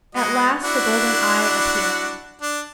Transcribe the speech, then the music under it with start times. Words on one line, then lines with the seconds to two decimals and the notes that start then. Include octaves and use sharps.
At last the golden Eye appeared.
0.15 G#3 F#4 D#5
0.63 D4 E4 F#4
2.41 D4